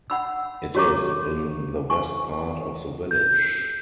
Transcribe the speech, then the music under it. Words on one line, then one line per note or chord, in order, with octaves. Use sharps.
It is in the west part of the village.
F#5 B5 E6
F#4 G4 C#5 A#5 C#6 D6
G#5 C#6
G6